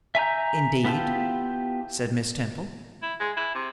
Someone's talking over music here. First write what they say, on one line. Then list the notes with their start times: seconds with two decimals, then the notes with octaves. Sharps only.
'Indeed!' said Miss Temple.
0.15 E5 G#5 A#5 G6
0.84 B3 E4 F4 G4 A5
3.03 E4
3.20 G#3
3.37 E4
3.55 C3